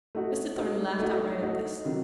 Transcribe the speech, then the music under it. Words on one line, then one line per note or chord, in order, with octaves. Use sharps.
Mr. Thornton laughed outright at this.
A3 D#4 F#4
A3 D#4 F#4
A3 D#4 F#4
A3 D#4 F#4
C3 D#3 F#3